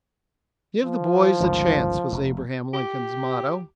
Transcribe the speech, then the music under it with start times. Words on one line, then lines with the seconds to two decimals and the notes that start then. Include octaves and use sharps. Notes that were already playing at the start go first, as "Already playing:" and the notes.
"Give the boys a chance," was Abraham Lincoln's motto.
0.84 F3
1.40 G1 C#2 D#3
2.12 F1
2.74 G4